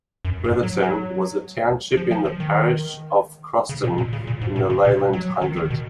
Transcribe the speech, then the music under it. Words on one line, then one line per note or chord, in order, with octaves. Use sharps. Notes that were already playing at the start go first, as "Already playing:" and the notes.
Bretherton was a township in the parish of Croston in the Leyland hundred.
F#2
G#2
F#3
F#3
F3
F3
F3
D#3
C#3
B2
A#2
C#3
A#2
G#2
B2
C#3
B2
F#3
D#3
D#3
B2